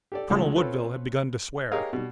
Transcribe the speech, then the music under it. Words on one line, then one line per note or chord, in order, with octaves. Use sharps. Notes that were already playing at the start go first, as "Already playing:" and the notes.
Colonel Woodville had begun to swear.
G4 A4 D5
C#2 F3 F#3 G#3 A3
C4 C#4 F4 A4 B4
G4 G#4 A#4 C#5 D#5 F5
B2 G3